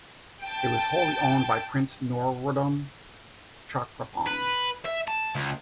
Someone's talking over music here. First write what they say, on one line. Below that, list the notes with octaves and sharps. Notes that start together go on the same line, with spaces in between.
It was wholly owned by Prince Norodom Chakrapong.
G5 A5
B4
E5
A5
C#2